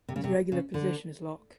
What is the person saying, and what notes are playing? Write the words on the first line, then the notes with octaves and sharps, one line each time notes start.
His regular position is lock.
C3
C#3
C3
C#3
D3